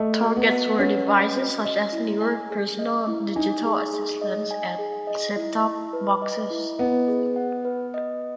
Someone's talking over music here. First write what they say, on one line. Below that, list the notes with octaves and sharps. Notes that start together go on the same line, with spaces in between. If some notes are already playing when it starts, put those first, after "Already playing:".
Targets were devices such as newer personal digital assistants and set-top boxes.
Already playing: A3 D#5
F#4
B3
F#5
C#4 B4
D#5
F#4
D#5
E4
G#5
G#4
D#5
E4
D#4 G#5
G#4
G#4
D#5
G#5
G#4
D#5
E4
A5
B4
D#5
E4
B3 D#5
G#4
F#5
B4
D#5